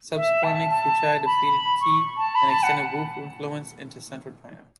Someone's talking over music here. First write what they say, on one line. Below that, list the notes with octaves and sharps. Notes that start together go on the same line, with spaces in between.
Subsequently, Fuchai defeated Qi and extended Wu influence into central China.
E5
A5
A5
B5
C#6
A5
B5
A5
F#5